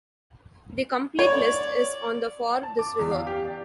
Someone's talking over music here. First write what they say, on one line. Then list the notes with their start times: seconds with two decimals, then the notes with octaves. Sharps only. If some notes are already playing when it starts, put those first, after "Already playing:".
The complete list is on the for this river.
1.19 C#5 D5
2.63 A5
2.79 D6
2.99 E2
3.11 F5
3.27 G4
3.45 D5